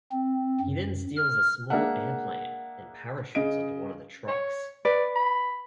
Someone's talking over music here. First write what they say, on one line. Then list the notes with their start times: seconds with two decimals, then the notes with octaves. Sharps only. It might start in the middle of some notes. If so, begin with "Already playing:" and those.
He then steals a small airplane and parachutes onto one of the trucks.
0.12 C4
0.61 F#2
1.16 F6
1.70 G#3 A#3 D4 E5 F#5
3.35 C#3 D#5 D7
4.28 C#5
4.85 B4 D5
5.16 B5